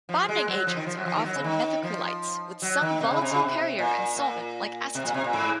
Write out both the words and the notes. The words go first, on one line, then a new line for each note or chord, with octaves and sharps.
Bonding agents are often methacrylates with some volatile carrier and solvent like acetone.
F3
G#3
F#3
F3
D#3
F3
F#3
F3
D#3
F#3
C#3
D#3
F3
F#3
D#3
C3
C#3
C3
C#3
C3
A#2
A#2
C3
A#2
C3
A#2
G#2